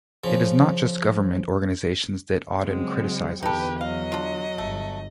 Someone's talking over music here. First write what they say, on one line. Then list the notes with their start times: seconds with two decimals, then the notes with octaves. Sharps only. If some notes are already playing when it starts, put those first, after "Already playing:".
It is not just government organizations that Auden criticizes.
0.24 C#3 F3
2.61 C#3 F#3 G#3 C4
3.43 E2 D3 D#4 G4 A4 B4
3.81 F#3 D#5 F5
4.12 D4 F4
4.58 G1 A3